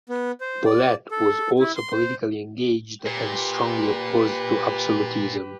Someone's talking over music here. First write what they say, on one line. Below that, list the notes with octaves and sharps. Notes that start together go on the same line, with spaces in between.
Bolette was also politically engaged and strongly opposed to absolutism.
B3
C5
D5
A4
E4
C6
C5
A#2 G4 B4